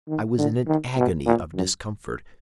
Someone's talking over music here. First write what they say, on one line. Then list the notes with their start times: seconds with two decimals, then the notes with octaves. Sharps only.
'I was in an agony of discomfort.
0.08 D#3
0.38 D3
0.67 D#3
0.97 B2
1.26 A#2
1.54 F#2